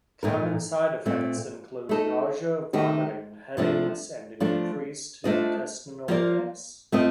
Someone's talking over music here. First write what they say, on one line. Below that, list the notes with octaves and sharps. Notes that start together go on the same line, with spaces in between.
Common side effects include nausea, vomiting, headaches, and increased intestinal gas.
A#2 A3 D#4 A#4
A#2 A3 C4
A3 D#4 A4
D#3 A3 D#4 G4
C3 F3 A3 D4
F3 A3 D4 F4 A4
A3 D4 F4 C5 D#5
F3 A#3 F4 A#4 D5
A3 C4 F4 C5 D#5